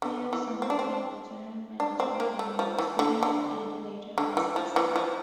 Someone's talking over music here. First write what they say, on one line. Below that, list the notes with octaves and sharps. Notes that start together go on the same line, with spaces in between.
Thayer soon became the general manager in New York City and later vice-president.
D3
E3
C4
D4
C4
D4
C4
A#3
A3
F3
E3
D3
D3
D3
E3
F3
E3
F3